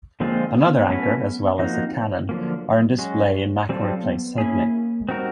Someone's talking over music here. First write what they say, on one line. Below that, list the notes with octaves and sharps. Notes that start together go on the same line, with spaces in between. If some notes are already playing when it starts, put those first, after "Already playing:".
Another anchor, as well as a cannon, are on display in Macquarie Place, Sydney.
D3 F3 G#3 A#3 C4 F4
B3
F#3 A3 C#4 F#4 B4
F3 A#3 C4 D#4 F#4
D3 F3 F#3 A#3
G#3 C#4 F#4
F#3 G3 C4 F4 A4
B3
A#3 C#4 E4 G#4
G#3
G3 C4 D#4 F#4 A#4